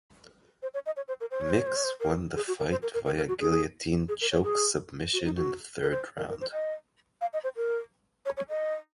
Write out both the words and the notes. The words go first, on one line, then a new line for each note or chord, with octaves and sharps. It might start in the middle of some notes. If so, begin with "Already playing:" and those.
Mix won the fight via guillotine choke submission in the third round.
C5
C#5
D#5
C#5
C5
A#4
C5
C#5
C5
C#5
C5
C#5
C5
A#4
G#4
F#4
A#4
C5
A#4
A#4
A#4
A#4
F#4
G#4
G#4
A#4
C#5
G#4
F#4
D#4
F#4
A#4
C5
A#4
A#4
C5
D#5
F5
D#5
C5
A#4
C#5
C#5
D#5